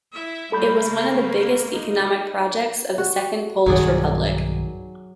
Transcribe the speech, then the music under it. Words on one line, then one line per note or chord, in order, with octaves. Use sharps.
It was one of the biggest economic projects of the Second Polish Republic.
E4 E5
G3 A3 A#3 A4 B5 G6
C#3
D#4
F#4
B1 G2 D#3 F#3 G#4 D5